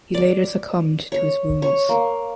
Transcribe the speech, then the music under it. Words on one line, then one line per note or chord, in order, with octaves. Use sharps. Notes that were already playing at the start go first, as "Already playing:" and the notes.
He later succumbed to his wounds.
D5
C#5
C#5
A#3